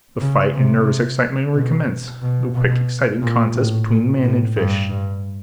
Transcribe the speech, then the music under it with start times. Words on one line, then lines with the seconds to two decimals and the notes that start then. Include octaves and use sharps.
The fight and nervous excitement recommence--the quick, exciting contest between man and fish.
0.21 C#3
0.55 C3
1.54 B2
2.22 B2
2.55 B2
3.22 A#2
3.55 A2
3.89 A#2
4.23 A2
4.57 G2
4.90 G2